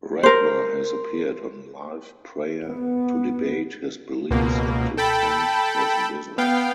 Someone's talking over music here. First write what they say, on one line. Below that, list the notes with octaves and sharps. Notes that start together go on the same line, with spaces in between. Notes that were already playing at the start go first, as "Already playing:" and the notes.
Redner has appeared on Live Prayer to debate his beliefs and defend his business.
A#4 C5
B3
C#2 B2 A#3
A4 G5 A5 B5
B3 F5 G5